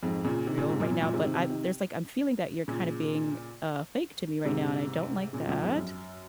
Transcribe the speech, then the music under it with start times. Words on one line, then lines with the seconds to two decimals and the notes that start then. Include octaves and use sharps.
real right now, but I there's like, I'm feeling that you're kinda being, uh, fake to me right now, and I don't like that.
0.03 F2 G#2
0.24 A#2 C#3
0.47 C3 D#3
0.58 A#2 C#3
0.69 G#2 C3
0.80 F#2 A#2
0.91 F#2 A#2
1.02 F#2 A#2
1.13 G#2 C3
1.24 C3 D#3
1.35 C3 D#3
1.50 C3 D#3
2.68 A#2 C#3
4.45 G#2 C3
5.33 A#2 C#3
5.48 F#2 A#2
5.63 F2 G#2
5.77 F#2